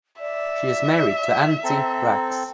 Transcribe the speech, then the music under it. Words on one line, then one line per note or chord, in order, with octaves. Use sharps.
She is married to Antti Brax.
D5 E5
C4 A4 A#5